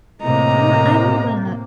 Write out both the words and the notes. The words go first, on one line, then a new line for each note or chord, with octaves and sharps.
No, I love that.
A2 C3 A#3 D#5 A#5